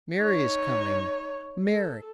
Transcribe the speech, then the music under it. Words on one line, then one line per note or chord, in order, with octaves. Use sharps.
Mary is coming! Mary!
D#4 C#5
A4